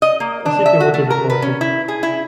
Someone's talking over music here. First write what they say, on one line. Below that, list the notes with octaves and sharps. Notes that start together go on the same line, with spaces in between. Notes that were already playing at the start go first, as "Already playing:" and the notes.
A City Water Dept.
D#5
A#3
D4
E5
F#4
A3
A#4
B4
C#4
E4
G#4
E4